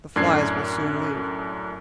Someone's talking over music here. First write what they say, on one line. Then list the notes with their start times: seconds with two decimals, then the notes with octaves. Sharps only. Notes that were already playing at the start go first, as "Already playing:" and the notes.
The flies will soon leave.
0.16 F#2 A2 D4 G#6 C7